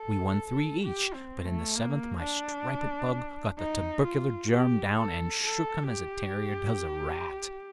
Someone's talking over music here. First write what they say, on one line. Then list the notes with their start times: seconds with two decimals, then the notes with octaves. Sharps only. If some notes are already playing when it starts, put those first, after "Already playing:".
We won three each, but in the seventh my striped bug got the tubercular germ down and shook him as a terrier does a rat.
Already playing: A4
0.83 G4
1.14 C4
1.45 A3
1.75 A#3
2.21 D4
3.58 D#4
4.04 F4
4.51 G4
4.97 A4
5.42 A4
5.88 G4